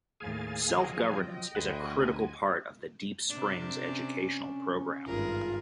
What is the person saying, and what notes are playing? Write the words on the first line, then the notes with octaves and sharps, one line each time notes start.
Self-governance is a critical part of the Deep Springs educational program.
D#2 A2 G#4 F5 G#5 A6
F3 F#3 D#5 G5
D2 F#5 G#5 B5 C6
C3 D4
C#4
G#1 G2 F4 G#4 A#4